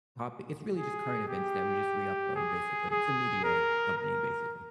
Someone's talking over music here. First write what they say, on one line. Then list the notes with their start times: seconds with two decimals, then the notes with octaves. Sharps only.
Pop. It's really just current events that we just re-upload basically. It's a media company, basically.
0.74 G#4
1.28 G4
2.35 G#4
2.90 G#4
3.44 A#4
3.97 A#4